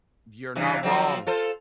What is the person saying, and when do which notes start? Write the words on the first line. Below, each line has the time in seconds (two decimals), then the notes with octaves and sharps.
You're not wrong.
0.55 G2 C3 E3
0.83 F3 F#3 C4
1.27 F4 A4 C5